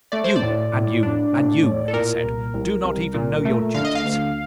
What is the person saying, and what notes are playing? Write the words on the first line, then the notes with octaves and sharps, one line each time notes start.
'You, and you, and you,' he said, 'do not even know your duties.
A3 D5
C5
D5
A2
A2
D4
A2
A2
A4
A#2 A#4
C2
C2
C2
A#2
A3
D3 F5
D#5
F5
D2